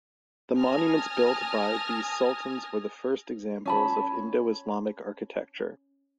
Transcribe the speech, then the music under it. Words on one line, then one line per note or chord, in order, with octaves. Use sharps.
The monuments built by these Sultans were the first examples of Indo-Islamic Architecture.
G#5 A5 D#6 F6 G#6 A#6
C#4 A5 B5